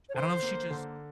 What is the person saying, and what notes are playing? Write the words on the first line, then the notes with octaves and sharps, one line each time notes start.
I don't know if she, just
C#5
D3 C5
A#3
D3